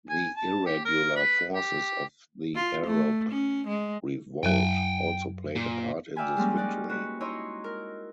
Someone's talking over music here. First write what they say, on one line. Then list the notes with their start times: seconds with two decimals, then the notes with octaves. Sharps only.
The irregular forces of the Arab Revolt also played a part in this victory.
0.10 G#5
0.36 A5
0.66 G4
0.85 A#4
1.16 B4
1.54 G4
2.55 F4
2.86 A3
3.31 C#4
3.67 G#3
4.43 F#2 F#3 G5 G#5
5.55 A#2
6.16 D5 E5 F5 G5 G#5 B5
6.36 F3 G3 G#3 A#3 C#4
6.56 C#4 D#4 D5 F#5
6.89 G#3 F#4 B4 C#5
7.20 D#4 E4 C#5 D#5 A#5 C6
7.64 A#4